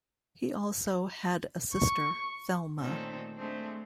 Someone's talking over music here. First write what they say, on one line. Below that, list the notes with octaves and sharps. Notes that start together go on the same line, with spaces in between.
He also had a sister, Thelma.
C#6
A#2 D#3 A3 C4 C#4 A4
G#3 A3 C4 D4 C5